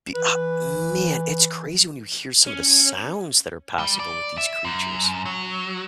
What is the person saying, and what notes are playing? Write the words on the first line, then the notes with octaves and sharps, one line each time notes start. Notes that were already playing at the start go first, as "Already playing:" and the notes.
The, uh man, it's crazy when you hear some of the sounds that are possible with these creatures.
E3 B4
C#4
G3
D5
E5
F#2
F#3